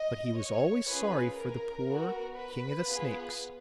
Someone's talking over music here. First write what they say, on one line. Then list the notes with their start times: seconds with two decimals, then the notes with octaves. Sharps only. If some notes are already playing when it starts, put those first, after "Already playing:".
But he was always sorry for the poor King of the Snakes.
Already playing: D#5
0.36 C#5
0.86 C#4 F4 G#4 B4
1.35 A#4
1.85 B3 F#4
2.36 B4
2.85 B3 F4 G#4